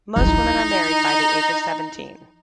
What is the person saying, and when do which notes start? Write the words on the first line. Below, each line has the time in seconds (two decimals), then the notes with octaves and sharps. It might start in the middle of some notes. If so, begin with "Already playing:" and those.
Most women are married by the age of seventeen.
0.16 F3 D#4 E4